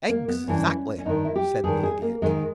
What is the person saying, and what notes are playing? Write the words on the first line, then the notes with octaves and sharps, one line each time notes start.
"Exactly," said the Idiot.
A#3
B3
G2 E3 C#4
C#4
G2 D#3 D#4
E4
G4
G2 D#3 G#4
G#4
A#3
G#2 D#3 G#3